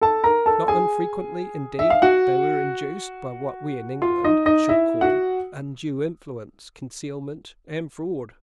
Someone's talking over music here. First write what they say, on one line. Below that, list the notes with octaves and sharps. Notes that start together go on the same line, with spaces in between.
Not unfrequently, indeed, they were induced, by what we in England should call undue influence, concealment, and fraud.
A4 A5
A#4 A#5
A4 A5
G#4 G#5
E5
F5
F#4 F#5
F4 F5
D#4 D#5
D#4 D#5
E4 E5
F#4 F#5